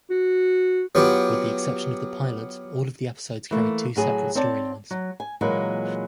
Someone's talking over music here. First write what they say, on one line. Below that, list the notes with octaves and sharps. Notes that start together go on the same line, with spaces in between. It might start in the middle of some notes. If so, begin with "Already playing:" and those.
With the exception of the pilot, all of the episodes carried two separate storylines.
F#4
F#3 B3 F4 G4
E3 A3 A#3
A2 F#3 G#4
C4 C#5 D5 A5
F#3
G#5
A#2 E3 F#3 G#3 A#3